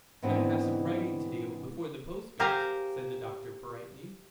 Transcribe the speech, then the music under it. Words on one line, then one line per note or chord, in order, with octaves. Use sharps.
"That I have some writing to do--before the post goes," said the doctor brightly.
G#2 E3 G#3 B3 C4 D4
G4 G#4 A#4 C5 F5 A#5